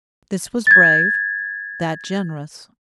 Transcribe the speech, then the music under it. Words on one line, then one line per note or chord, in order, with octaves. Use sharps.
This was brave, that generous.
G#6 A6